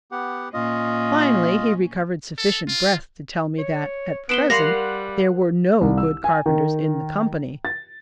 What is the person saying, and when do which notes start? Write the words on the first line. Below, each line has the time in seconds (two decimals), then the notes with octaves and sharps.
Finally, he recovered sufficient breath to tell me that at present, there were no good carpenters in the company.
0.12 B3 G4 F#5
0.53 A#2 C#4 F4 D#5
2.38 A4
2.68 F4
3.58 C#5
4.29 B3 D#4 F#5 C6 D7 E7 G7
4.50 G3 A#4 F5 F#5 C6 A#6
5.81 C2
5.98 E6
6.24 G#5
6.46 D#3
7.65 A6